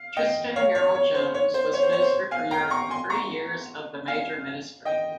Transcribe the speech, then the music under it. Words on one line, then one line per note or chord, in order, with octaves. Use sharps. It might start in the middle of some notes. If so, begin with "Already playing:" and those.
Tristan Garel-Jones was Minister for Europe for three years of the Major ministry.
Already playing: F5
D#5 G5
C#5 F5
C#5
C#5
C5
C#5
C5
C#5
C5
C#5
C5
F5 G#5
G5 A#5
A#5 C#6
G#5 C6
A#5 C#6
F5 G#5
D#5 G5